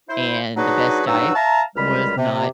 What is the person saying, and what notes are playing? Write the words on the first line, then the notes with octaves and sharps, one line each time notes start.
and the best diet was not
E4 C5
F#3 D4 D#4 F#4 G#4 B4
G2 F#3 D#4 F#4 F#5 E6
E5 F5 A5 A#5
C#2 F#2 G3 G#3 B5 F6
C3